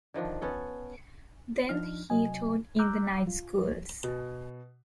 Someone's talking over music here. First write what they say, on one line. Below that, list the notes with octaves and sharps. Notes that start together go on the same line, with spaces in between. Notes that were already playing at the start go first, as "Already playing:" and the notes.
Then he taught in the night schools.
D3 D#3 F3 D4
B3 C#4 A4
F3 D4 D#4 F6
C3 F#3 D#5 G#5
A#5 D6 E6 F#6 G6
F4
B2